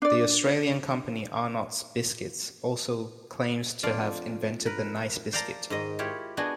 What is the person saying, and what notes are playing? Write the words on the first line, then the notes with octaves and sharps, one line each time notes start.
The Australian company Arnott's Biscuits also claims to have invented the Nice biscuit.
D4 D5
F2 D4 F4 D5 F5
A#4 B4
C5 D5 F5 A5 A#5
G#2 D#3 D#5
E4 F4 G4 C#5 E5
B3 D4 F#4 G#4 D#5 G#5